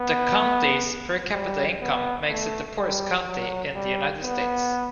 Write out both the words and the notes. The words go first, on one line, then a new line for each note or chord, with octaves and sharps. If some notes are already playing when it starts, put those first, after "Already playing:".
The county's per-capita income makes it the poorest county in the United States.
Already playing: B3
G3
B3
A3
G3
F#3
G3
B3